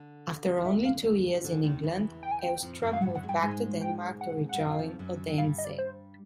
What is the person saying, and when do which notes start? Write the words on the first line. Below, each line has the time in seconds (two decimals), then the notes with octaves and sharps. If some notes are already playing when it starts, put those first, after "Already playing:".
After only two years in England, Elstrup moved back to Denmark to rejoin Odense.
Already playing: D3
0.58 D#3
0.65 D3 E5
0.85 F5
1.34 D#3
1.44 D3
1.64 D#2 D#3
1.83 E2 E3
2.23 G5
2.31 G#5
2.39 G5
2.62 F2 F3
2.82 F#2 F#3
2.93 F5
3.01 G2 G3 F#5
3.15 F#2 F#3 F#5
3.23 G#3
3.28 G2 G3 G5
3.41 G#2 G#3 G#5
3.81 G5
4.21 F#5
4.49 G3 F#5
4.59 F#2 F#3 F5
4.79 F2 F3
4.99 F#2 F#3
5.27 F#3
5.38 G2 G3 F5
5.58 D#5
5.65 D5
5.78 C5